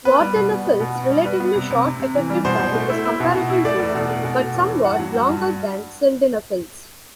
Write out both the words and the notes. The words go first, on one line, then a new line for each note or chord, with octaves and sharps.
Vardenafil's relatively short effective time is comparable to but somewhat longer than sildenafil's.
B3 B4
G3
B2
B2
B3
B2
B3
G3
G3 B4
B3
C3
C3
C3
C3
E3
G3
B2 C5
B2
A3
E4
E4
B2
B2
E4
A3 D5
E2
B2
A3
B2
B2
E2
E2
G2 F#5
F#3
G2
G2